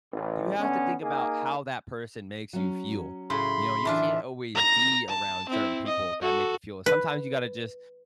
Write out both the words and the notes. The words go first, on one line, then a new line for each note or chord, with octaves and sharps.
you have to think about how that person makes you feel, you know, you can't always be around certain people that make you feel Sometimes you gotta just,
A1
D3 B3 C#4
A#3 D#4 G#4
F#3 C#4
A2 C#3 B5 C6
E3 D4 F4 E5
A#5 A#6
A5
C4 E4
D#5
F#4 A4
B4